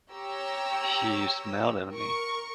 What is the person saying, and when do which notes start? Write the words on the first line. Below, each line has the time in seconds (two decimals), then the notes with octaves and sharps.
She smiled at me.
0.11 G4 C#5 G5 A#5 E6
1.91 A#4 C#6